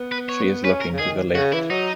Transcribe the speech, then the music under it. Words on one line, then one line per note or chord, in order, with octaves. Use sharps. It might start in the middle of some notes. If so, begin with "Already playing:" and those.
She is looking to the left.
Already playing: B3
B4
C#5
C#4 B4
A#4
C#3
D#3 G#4
C#3 F#4
E3 E4
F#3 D#4